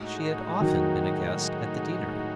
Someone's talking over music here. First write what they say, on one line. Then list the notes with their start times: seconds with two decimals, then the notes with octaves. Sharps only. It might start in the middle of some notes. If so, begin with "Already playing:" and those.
She had often been a guest at the deanery.
Already playing: A2 G#3 D#4 F#4
0.60 D#3 F#3